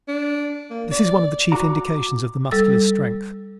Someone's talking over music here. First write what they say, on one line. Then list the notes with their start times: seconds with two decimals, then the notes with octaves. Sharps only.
This is one of the chief indications of the Muscular's strength.
0.08 D4
0.70 A#3
0.91 D5
1.52 F#4 A#5 D6
2.51 G3 A4 E6 A6